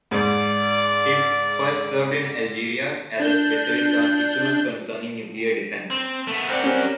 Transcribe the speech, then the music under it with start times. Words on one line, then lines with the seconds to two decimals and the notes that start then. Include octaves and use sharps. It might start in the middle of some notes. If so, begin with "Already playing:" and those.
He first served in Algeria as a specialist on issues concerning nuclear defense.
0.11 G#2 D5
3.20 D4 G6
5.90 C4
6.27 A3 B3 D#7
6.50 C4 A#4 D5 F#5
6.64 G3 C4 C#4